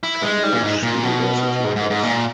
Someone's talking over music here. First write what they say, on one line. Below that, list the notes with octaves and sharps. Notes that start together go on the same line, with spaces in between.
Cambridge University Press.
E4
G#3
G3
A#2
G#2
A#2
B2
G#2
G#2
G#2
A#2